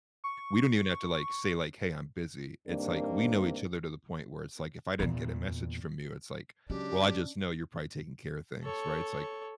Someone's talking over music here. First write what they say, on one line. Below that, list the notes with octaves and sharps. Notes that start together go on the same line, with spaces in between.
We don't even have to, like, say, like, "Hey, I'm busy." It's ,like, we know each other to the point where it's, like, if I didn't get a message from you, it's, like, well, I just know you're probably taking care of things, right? It's, like,
C#6
G2 D#3 A#3 C4 D4
E2 A#2
C#3 F#3 G#3 C#4 D4 G4
A4 C#5